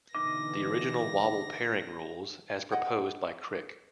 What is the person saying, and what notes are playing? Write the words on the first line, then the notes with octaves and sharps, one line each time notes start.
The original wobble pairing rules, as proposed by Crick.
B2 D3 E3 D#4 A#4 D#5 D6 A#6
D#5 F#5 G5